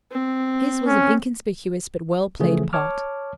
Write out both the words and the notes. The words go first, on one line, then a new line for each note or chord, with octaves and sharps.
His was an inconspicuous but well played part.
C4
C#4
C#3 E3 F3 A3 G#4
C#5 A5 D6 F6